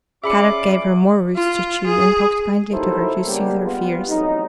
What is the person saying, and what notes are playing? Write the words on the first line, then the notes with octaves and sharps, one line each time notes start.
Kadok gave her more roots to chew and talked kindly to her to soothe her fears.
C#4 F4 G#4 D5 E5 B5 D6 C#7
F4
G#4
D#2 F#3 D#4 E4 A4 C5
C#3 G3 G#3 A#3 B3 D4
G3 B3 F4
A1 F2 F#3 D#4